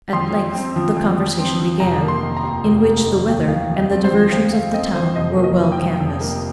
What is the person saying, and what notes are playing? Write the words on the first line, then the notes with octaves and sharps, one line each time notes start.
At length the conversation began, in which the weather and the diversions of the town were well canvassed.
F2 C6
F2
C4
F3
F2
F2
C4
F3
F1 A#5
A#3
C6
D#3
A#5
D#2
F1
A#3
D#3
D#2
F2 F5
F2
D#5
C4
C5
F3
F2 C5
F2 F5
C4 D#5
F3 C5
F1 D#5
A#3
D#5
F3
G5
F2
F1
A#3